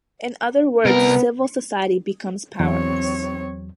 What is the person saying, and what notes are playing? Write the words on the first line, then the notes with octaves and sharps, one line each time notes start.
In other words, Civil Society becomes powerless.
C2 B3 A#4
E2 F#3 C4 C#5